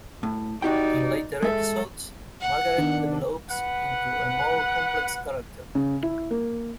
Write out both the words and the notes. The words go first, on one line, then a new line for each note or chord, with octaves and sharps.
In later episodes, Margaret develops into a more complex character.
A2
D#4 F#4 G4 D5 G5
G#3 A4 E5
F#5
D#3 B3 D4
B4 F#5
C#3
E4
A#3